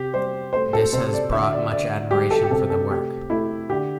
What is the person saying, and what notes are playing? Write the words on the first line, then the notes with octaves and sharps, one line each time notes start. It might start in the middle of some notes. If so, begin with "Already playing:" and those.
This has brought much admiration for the work.
Already playing: C3 G4
G3 C5
A3 C5
A4
C3 C5
D5
D3 E5
E5
D5
D3 D5
G3 G4
A4
G4
C3 A4
A4
A3 G4
A3 E4
D3 G4